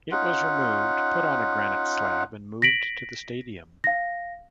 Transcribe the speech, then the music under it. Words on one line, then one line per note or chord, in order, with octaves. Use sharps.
It was removed, put on a granite slab and moved to the stadium.
C#4 D#4 F4 F#5
A#6 B6 D7 F#7
F5 A#6